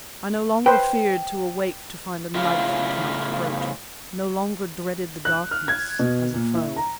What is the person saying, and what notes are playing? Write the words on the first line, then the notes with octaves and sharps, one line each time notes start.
I no longer feared to awake to find a knife at my throat, no longer dreaded the darkness as a foe.
B4 C5 G5
A2 C#3 E4 F4
F#6
F6
G#6
B2
A#2
E4
A#5